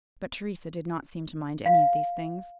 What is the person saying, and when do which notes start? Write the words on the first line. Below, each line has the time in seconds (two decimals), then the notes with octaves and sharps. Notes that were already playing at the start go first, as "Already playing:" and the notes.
But Theresa did not seem to mind any of these things.
1.66 F5